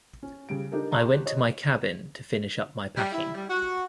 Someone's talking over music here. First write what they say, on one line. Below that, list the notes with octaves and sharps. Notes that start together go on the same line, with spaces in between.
I went to my cabin to finish up my packing.
C#4
C#3 G3 D7
D4 D#4 G4 A4 A#4
A5 A#5 C6 C#6 F#6
G4
C#5 D#5
G3
E4
G3
F#4